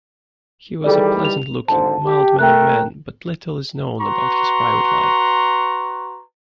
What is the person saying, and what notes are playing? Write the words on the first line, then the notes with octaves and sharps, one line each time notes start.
He was a pleasant-looking, mild-mannered man, but little is known about his private life.
D#3 E3 G3 G#4 A4 D5
F7
G#1 D3 C5 A5
G4
A3 A#4 G5 F#6
F#4 B4 A#5 C6 C#6